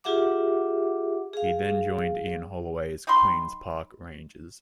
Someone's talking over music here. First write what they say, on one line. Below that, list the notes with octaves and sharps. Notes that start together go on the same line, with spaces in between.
He then joined Ian Holloway's Queens Park Rangers.
F4 G4 G#4 E5 F#5 D6
G#4 F5
D#4 G5 B5 C6